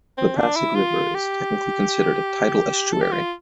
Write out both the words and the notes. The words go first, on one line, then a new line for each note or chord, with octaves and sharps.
The Pasig River is technically considered a tidal estuary.
C4
D4
E4
F4
G4
A4
G4
F4